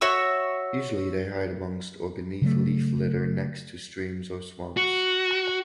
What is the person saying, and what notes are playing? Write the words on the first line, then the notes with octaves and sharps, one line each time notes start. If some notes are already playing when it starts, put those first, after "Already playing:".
Usually they hide amongst or beneath leaf litter next to streams or swamps.
F#4 C#5 E5 E6
C#3 F#3 A3
F#4